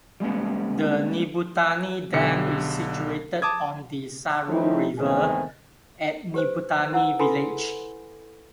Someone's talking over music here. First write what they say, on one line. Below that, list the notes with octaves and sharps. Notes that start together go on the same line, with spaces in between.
The Nibutani Dam is situated on the Saru River, at Nibutani village.
G3 G#3 A#3 B3 C#4
B1 D3 G4 C#7
A5 D6 D#6 G#6
F3 A3 C4 C#4 D#4 E4
E2 A2 D#3 G#3 C4 G#5
G4 B4 C5
E4 F#5 E6
E4 A4 B4 G#5 B5 C6